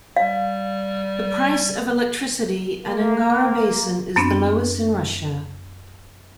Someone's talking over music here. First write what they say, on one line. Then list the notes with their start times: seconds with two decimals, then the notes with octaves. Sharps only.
The price of electricity in Angara basin is the lowest in Russia.
0.16 G3 F5
2.85 A#3
4.16 F#2 B3 C4 D4